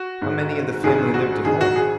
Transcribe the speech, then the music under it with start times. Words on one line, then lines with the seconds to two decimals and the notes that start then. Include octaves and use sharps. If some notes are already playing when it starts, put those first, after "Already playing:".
"How many of the family lived at home?"
Already playing: F#4
0.21 G#1 G#2 D#3
0.83 A#1 G#2 D#3 G#4
1.14 F#4
1.45 A#1 G#2 D#3 G#4
1.61 F#4
1.76 G#4